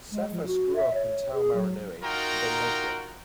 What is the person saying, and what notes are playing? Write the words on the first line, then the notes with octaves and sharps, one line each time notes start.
Psathas grew up in Taumarunui and then Napier.
G#3
F3
F#4
E5
C#5
G#4
F#3
D#4 F4 F#4 A#4 G5 A#5